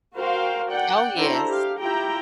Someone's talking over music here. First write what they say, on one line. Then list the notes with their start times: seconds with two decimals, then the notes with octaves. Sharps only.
Oh, yes.
0.15 F#4 A#4 C5 F5 G5
0.69 D5 F#5 G5
1.15 D4 E4 F#4 A4 C5 A#5
1.48 G4 F5
1.80 E4 F4 G4 G5 A#5